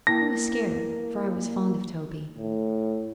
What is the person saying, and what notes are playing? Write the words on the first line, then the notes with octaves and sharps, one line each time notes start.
I was scared, for I was fond of Toby.
A#3 E4 G5 A5 A#6
A2